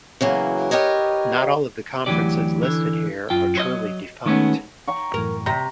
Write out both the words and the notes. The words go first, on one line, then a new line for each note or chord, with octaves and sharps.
Not all of the conferences listed here are truly defunct.
C#3 E3 F#3 A#3
G4 A#4 B4 C#5 D#5
D2 A2 E3 F#3 G4 D5
D3 E3
F#2 F4 G5
F#3 C5 D#5
D#3 G#3 A3 B3 C#4
G5 A#5 C#6
F#2 A2 E3 A#4
C3 A#5